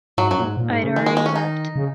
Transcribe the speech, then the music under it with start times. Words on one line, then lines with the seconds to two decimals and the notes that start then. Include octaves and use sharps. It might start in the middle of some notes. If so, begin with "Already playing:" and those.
I’d already left.
0.18 G#2 F#3
0.31 F#2 F#3
0.39 A#2
0.44 G#2
0.57 A#2
0.70 G#2
0.83 C#3
0.96 D#3 G#3
1.06 G#3
1.17 G#3
1.26 C#4
1.36 D#4
1.76 C#3